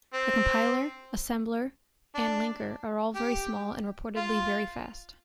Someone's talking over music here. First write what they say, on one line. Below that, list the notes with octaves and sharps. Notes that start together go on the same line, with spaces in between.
The compiler, assembler and linker are all very small and reportedly very fast.
C4
D4
G4
F4